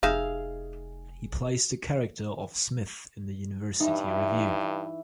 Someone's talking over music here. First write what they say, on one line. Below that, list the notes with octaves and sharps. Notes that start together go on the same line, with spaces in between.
He plays the character of Smith in the University review.
F1 D#4 G#4 E5 F5
G2 E3 D#4 E5